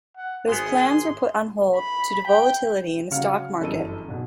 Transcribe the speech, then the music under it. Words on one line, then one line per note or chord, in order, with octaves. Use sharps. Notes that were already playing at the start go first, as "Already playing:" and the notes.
Those plans were put on hold due to volatility in the stock market.
F#5
G#1 B3 G#4 C6
B5
G5
C#3 F#3 F5 F6 C#7
G1 F#2 E3 A4 D#5 D#7
B1 B2